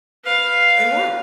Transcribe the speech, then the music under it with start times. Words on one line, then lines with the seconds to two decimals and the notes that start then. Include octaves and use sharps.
They were.
0.24 B4 F5